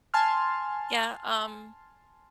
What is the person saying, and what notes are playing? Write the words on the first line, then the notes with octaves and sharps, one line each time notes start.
Yeah, um
G#5 A5 C6 F6